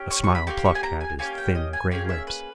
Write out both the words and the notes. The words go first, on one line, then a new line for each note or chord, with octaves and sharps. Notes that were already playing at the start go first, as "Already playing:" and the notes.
A smile plucked at his thin, gray lips.
Already playing: C#4 G4
C#6
C#6
B5
A#3 E4 G4 C#6
C#6
G#5
A#5
G#5
A#3 C#4 G4 G#5
G5
D#5
G#5
A#3 C#4 G#4 G5
E5
B4